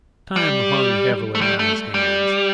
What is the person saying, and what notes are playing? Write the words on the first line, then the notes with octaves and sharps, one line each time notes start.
Time hung heavily on his hands.
G3
A3
G3
A3
G3